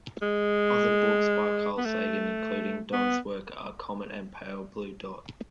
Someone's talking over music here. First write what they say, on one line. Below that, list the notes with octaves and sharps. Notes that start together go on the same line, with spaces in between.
Other books by Carl Sagan including Don's work are "Comet" and "Pale Blue Dot".
G#3
B3
A3
B3